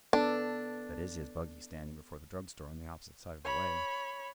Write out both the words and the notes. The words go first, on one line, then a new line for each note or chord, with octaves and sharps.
"That is his buggy standing before the drug-store on the opposite side of the way."
B3 D4 A4
C#5 B5